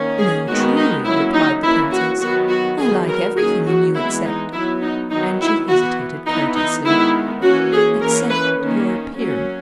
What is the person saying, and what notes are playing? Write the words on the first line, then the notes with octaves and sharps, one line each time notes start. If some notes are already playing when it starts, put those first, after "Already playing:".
"No, truly," replied the princess; "I like everything in you, except"--and she hesitated courteously--"except your appearance."
Already playing: D#3 A#3 C#4
G#4
D#3 G#3 B3 F#4
D#4
F#3 A#3 C#4 E4
D#4
E3 A#3 C#4 E4
F#4
D#3 F#3 B3 F#4
F#4
D#3 F#3 B3 G#4
A#4
D#3 F#3 A#3 C#4 G#4
F#4
E3 G#3 B3 E4
D#4
F#3 B3 E4
D#4
D#3 F#3 B3 D#4
E4
E3 B3 F#4
E3 B3 D#4
D#4
D#3 G#3 B3 E4
E3 A#3 C#4 F#4
G#4
E3 A#3 C#4 A#4
B4
D#3 A#3 C#4
F#3 A#3 C#4